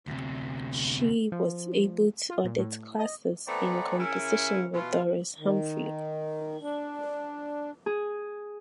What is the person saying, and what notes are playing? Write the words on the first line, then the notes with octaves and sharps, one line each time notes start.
She was able to audit classes in composition with Doris Humphrey.
D2 C3
F3
F4
A#2
A2
D#5
E3 A3 B3 C4 D5 A#5
C#3 C#4 E4 A#4 E5 G#5
B2 E3 F4
D#3
D4
G#4